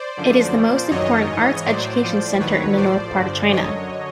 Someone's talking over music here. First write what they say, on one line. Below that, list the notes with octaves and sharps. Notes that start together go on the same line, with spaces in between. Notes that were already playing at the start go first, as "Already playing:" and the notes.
It is the most important arts education center in the north part of China.
Already playing: C5 D5
F#2 D3 F3
A#2 F3
F#2 D#3 F#3 C#5 D#5
G#2 E3
A2 F#3 C5 D5
A2 F3
D#2 D#3 F#3 B4 C#5
A2 F3 C5 D5
G2 D3 F3
F#2 D3 F#3 C#5 D#5